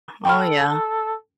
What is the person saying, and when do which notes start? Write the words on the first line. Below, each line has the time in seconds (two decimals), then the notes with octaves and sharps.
Oh, yeah.
0.25 A4 G5 B5 F6